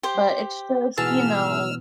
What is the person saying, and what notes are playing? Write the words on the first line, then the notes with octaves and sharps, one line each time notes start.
But it's just, you know,
G4 C5
G#2 B2 E3 B3 G#4 A5 E6 F6